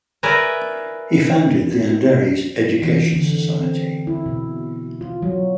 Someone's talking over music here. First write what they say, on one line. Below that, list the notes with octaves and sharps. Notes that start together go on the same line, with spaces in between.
He founded the Andheri Education Society.
A#4 B4 D5 E5 G#5 A#5
E3
D3
C4
E4
B2
F4
F#3